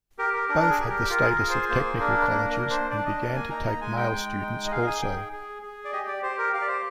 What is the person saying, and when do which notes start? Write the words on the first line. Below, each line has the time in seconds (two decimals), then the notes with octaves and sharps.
Both had the status of technical colleges, and began to take male students also.
0.19 G4 A#4
0.34 A#4
0.49 D4 A#4
0.61 A#4
0.70 G#4
0.80 G4
0.89 A#4
1.09 F4 A#4
1.22 G#4
1.30 A#4
1.39 G#4
1.50 C5
1.69 A#3 C5
2.00 D4 A#4
2.30 A#3 A#4
2.50 A#4
2.60 D4
2.70 C5
2.90 D4 D5
3.05 D#5
3.21 A#3
3.36 G#5
3.50 D#4 A#5
3.67 A#5
3.81 G#3 G#5
3.97 G5
4.11 G#3
4.41 D#4
4.67 D#5
4.72 G#4 F5
4.87 G#5
5.02 G#4 G5
5.33 G#4
5.63 G#4
5.85 D5
5.92 G4 D#5
6.08 D5
6.23 G4 C5
6.38 A#4
6.53 G4 F5
6.61 D5
6.68 C5